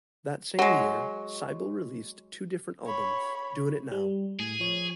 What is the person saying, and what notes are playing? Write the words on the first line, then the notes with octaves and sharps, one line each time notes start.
That same year, Sybil released two different albums: Doin' It Now!
F#3 G#3
C#5 B5
G3
A2 G#4
F3 C#5